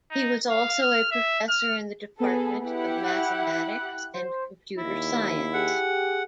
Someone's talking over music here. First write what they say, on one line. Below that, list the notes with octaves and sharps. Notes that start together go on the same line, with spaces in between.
He was also a professor in the department of mathematics and computer science.
D#4
F5
F6
E5
F6
B3 G#4 A4 B4
E4 G4 F#5
F#6
C5
D#2 E4
G4 G#4 F#5